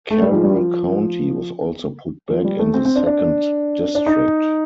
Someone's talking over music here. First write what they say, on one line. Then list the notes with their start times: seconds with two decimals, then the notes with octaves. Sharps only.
Carroll County was also put back in the second district.
0.10 A3
0.22 G3
0.32 F3
0.44 G3
0.54 F3
2.30 F3
2.45 G3
2.59 A3
2.74 C4
2.85 C4
2.96 D4
3.06 D4
3.95 D4
4.06 D#4